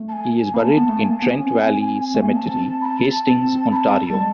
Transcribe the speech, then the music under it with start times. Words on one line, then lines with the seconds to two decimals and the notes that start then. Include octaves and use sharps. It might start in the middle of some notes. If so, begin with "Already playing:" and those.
He is buried in Trent Valley Cemetery, Hastings, Ontario.
Already playing: A3
0.09 A5
0.12 G#5
0.54 A#3 B5
0.59 A5
0.77 B3
0.89 A3
1.00 A#3 G#5 A5
1.22 B3
1.35 C#4
1.45 C4
2.14 A3
2.21 A#3
2.29 B3
2.36 C4 A5
2.81 B5
2.85 A5
3.27 C4 A5
3.72 B5
3.76 A5
4.10 G3
4.17 G#3 A5